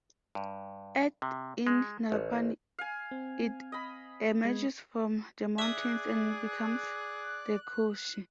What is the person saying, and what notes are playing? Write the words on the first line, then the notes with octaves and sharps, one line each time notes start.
At in Nepal it emerges from the mountains and becomes the "Koshi".
G2
C3
G#3
A1
F5 G#5
C4
D#5 B5
G#3 B3 G#6
G#4 D5 E5 D6 D#6 F#6